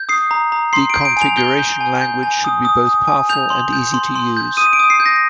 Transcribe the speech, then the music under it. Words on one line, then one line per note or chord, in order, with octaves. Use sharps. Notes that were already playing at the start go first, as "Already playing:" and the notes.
The configuration language should be both powerful and easy to use.
Already playing: G6
D#6 C7
A#5
A#5
C6 C7
G6 D7
D7
G#5 F7
G6 G7
G6
G#5
G6
G#5
D#6
D#6
D#6
G#5
G6 F7
C6
G6
C6
C6
G6
D#6 D#7
D7
D#6
C7
G6
A#6